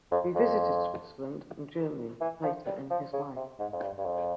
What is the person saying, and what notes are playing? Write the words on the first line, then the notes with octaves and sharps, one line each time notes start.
He visited Switzerland and Germany later in his life.
F2
F2
E3
F3
G3
F3
C#3
C3
G#2
F2
G2
G2
F2